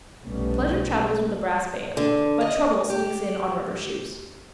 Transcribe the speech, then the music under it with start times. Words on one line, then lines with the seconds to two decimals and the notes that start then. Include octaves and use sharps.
Pleasure travels with a brass band, but Trouble sneaks in on rubber shoes.
0.23 F1 B1 G3 A3 B3 C#4
1.97 D3
2.41 D#5
2.90 G4